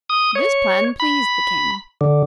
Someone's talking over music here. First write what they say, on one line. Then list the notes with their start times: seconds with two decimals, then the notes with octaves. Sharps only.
This plan pleased the King.
0.09 D#6
0.35 C#5
1.00 B5
2.01 D3